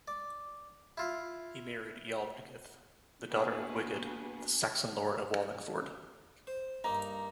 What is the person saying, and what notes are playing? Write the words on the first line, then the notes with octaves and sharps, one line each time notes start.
He married Ealdgyth, the daughter of Wigod, the Saxon lord of Wallingford.
D5
E4 F4
A#3 B3 D4 F#4 G#4 B4
C5
G2 A#3 D#4 A#5